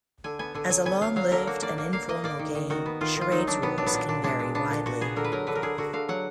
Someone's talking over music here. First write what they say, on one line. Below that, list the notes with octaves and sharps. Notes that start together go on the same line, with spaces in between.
As a long-lived and informal game, charades' rules can vary widely.
D3 G#5
B3 G#5
D3 G#5
F#3 G#5
B3 G#5
F#3 F5
F#3 F5
D3 A#4
A#3 F#4
A#3 D5
A#3
A#3 F5
A#3 D#5
A#3 D5
D#3
D#3
D#3 F#4
B3
D#3 F4
D#3
F4
F#3 D#4
F#3 D4
D#3 B3
F#3 D4
B3
A#2 D4
A#2 D4
G#3 D4
A#2
B3 D4
A#2
A#2 F#4
B3 G#4
D3 A#4
B4
F#3 A#4
D3 B4
A#4
D3 G#4
D3 F#4
D3 F5
F#3 F#5